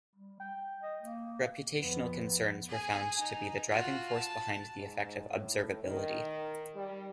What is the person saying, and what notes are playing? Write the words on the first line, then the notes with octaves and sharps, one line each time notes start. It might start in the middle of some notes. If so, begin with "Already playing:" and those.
Reputational concerns were found to be the driving force behind the effect of observability.
G3
G5
D#5
A#3
F2 B3
G#4 G#5
D#4
F4 F#4
A5
G#2
A2
D#3
G3